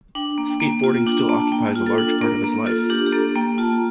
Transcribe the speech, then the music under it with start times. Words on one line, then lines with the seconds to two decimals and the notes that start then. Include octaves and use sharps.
Skateboarding still occupies a large part of his life.
0.15 D4 G5
0.38 A#3
0.49 G5
0.61 A#3
0.84 F4
1.06 D4 G5
1.29 A#3 A5
1.52 A#3 G5
1.75 F4
1.87 A4
1.98 D4
2.21 A#3 A#4
2.44 A#3
2.66 F4 A4
2.90 D4 G4
3.06 G4
3.13 A#3 A4
3.36 A#3 G5
3.58 F4 A5